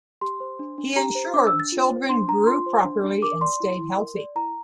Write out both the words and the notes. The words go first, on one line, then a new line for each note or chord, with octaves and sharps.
He ensured children grew properly and stayed healthy.
G4 C6
C5
D4
D4
G4 A#5
C5
D4 D6
E6
D4
A6
F4
C5
D4 C6
D4 A#5
F4 C6
C5
D4
D4
A#4 D6
D5 C6
E4
E4
A#4
D5
E4 A#5